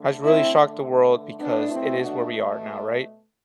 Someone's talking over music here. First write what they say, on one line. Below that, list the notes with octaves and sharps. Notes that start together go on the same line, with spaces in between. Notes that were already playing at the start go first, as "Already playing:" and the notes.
has really shocked the world because it is where we are now. Right?
Already playing: D3 A3
C4 E4
B2 B3 D4
A3
C4 E4
D4 F#4